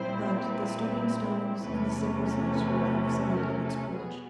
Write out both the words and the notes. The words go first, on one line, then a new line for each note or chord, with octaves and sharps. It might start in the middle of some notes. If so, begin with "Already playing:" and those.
But the stooping stones and the cypresses were out of sight of its porch.
Already playing: A#2 G3 C4 E4 C5
B4
E2 C3 E3 A3 C#4 B4
B4
A#4
A4
B2 G3 B3 G#4